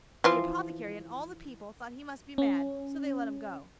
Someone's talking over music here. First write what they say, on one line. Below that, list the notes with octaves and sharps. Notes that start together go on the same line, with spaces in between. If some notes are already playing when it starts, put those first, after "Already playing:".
The apothecary and all the people thought he must be mad, so they let him go.
E3 F3 F4
C#4